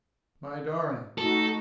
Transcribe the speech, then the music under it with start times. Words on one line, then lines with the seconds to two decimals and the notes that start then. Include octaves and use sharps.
My darling!
1.18 A2 D#4 F#4 A4